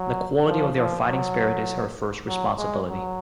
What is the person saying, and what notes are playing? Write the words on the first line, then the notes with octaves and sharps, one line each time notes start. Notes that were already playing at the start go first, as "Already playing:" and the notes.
The quality of their fighting spirit is her first responsibility.
Already playing: F#3
F3
F3
F#3
F#3
G#3
F#3